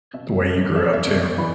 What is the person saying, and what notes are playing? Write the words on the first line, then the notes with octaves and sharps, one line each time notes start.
the way you grew up too,
B2 E5
B2
B2 E5
D5
E5
B2 D5
E3 B5